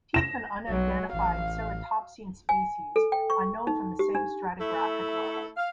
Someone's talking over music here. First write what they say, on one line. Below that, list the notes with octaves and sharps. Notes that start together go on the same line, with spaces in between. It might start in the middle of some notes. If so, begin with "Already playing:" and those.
Teeth of an unidentified ceratopsian species are known from the same stratigraphic level.
A#6 E7
B1 F#3
A1 F5
G#5
A4
G5
C#6
D#4
G4
D4
A3 E4 A4
F5